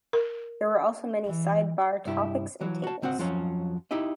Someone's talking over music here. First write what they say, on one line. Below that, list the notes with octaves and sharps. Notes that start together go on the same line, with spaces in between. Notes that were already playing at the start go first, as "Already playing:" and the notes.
There were also many sidebar topics and tables.
A#4
E3
C2 G2 E4 G4
E3 F#3
F#4 A5
C#2 C4 F#4 F#5
F2 F3 F#3 C#4
D#4 E4 G4 D#5